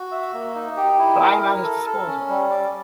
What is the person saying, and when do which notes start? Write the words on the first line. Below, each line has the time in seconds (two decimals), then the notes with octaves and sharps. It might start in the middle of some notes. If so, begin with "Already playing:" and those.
But I am at his disposal.
Already playing: F#4
0.12 E5
0.34 A#3
0.55 D#4
0.77 G4
0.99 E4
1.21 A#4
1.42 A#4
1.64 A4
1.86 A4
2.07 C#4
2.29 G3
2.50 D5